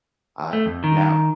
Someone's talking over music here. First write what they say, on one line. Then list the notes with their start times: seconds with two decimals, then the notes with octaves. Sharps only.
Uh, now
0.53 A3
0.66 F2
0.84 D#3